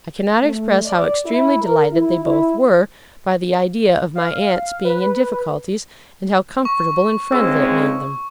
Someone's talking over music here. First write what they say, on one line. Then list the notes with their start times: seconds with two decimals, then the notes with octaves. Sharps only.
I cannot express how extremely delighted they both were, by the idea of my aunt's being in difficulties; and how comfortable and friendly it made them.
0.43 A3
0.85 D5
1.26 E4
1.62 A#4
1.93 E4
2.26 E4
4.15 F5
4.85 B4
6.65 C#6
7.32 C#2 G#2 G#3 C4 E6